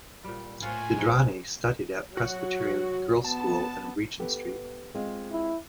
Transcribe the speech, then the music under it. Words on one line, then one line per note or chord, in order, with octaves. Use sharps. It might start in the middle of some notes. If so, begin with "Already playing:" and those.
Indrani studied at Presbyterian Girls School in Regent Street.
A#2 G3
A2 F4 C#5 F#5 G#5
C3 F#3 G#3
F#3 F#4
B3 A5
B3 G4 A4
G#3 C4 F4
E4